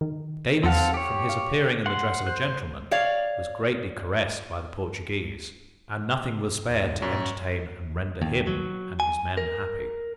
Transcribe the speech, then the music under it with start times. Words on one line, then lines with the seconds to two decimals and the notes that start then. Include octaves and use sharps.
Davis, from his appearing in the dress of a gentleman, was greatly caressed by the Portuguese, and nothing was spared to entertain and render him and his men happy.
0.01 D#3
0.64 E2 C4 A4 F5 F#5
0.94 G4 C#5
1.29 F5
1.86 F#5 C6
2.26 C5 F#6
2.91 C#5 D5 F5
6.70 D#2
7.02 F#2 A#2 C#5
8.22 D#2
8.47 F#3
9.00 G#5
9.37 A#4